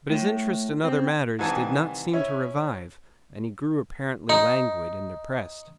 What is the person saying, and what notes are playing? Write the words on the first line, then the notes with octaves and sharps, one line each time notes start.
But his interest in other matters did not seem to revive, and he grew apparently languid and depressed.
A2
C4
C2 D#3 E3 G#5 A5
C#4 E4
D#4